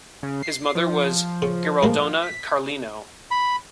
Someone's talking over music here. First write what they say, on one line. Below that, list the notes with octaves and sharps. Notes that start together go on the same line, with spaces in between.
His mother was Gueraldona Carlino.
C#3
C7
F3
C#3
G#2 G#3 A#3
B6
B5